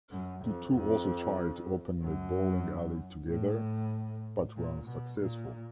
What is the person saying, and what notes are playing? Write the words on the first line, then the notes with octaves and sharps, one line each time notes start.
The two also tried to open a bowling alley together, but were unsuccessful.
F#2
F2
F2
F#2
A2
A#2
B2
A#2